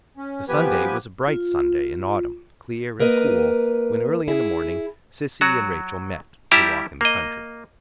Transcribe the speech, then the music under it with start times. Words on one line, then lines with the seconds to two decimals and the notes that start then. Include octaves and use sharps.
THE Sunday was a bright Sunday in autumn, clear and cool, when early in the morning Sissy and Rachael met, to walk in the country.
0.17 C#4
0.48 F3 B3 G4 B4 G#5
1.28 F4
3.00 A#3 A#4 B4 D#5
4.28 E4 G#4
5.41 F#3 F#4
6.51 G3 E4 G4 A5 A#5
7.01 A#3 D#5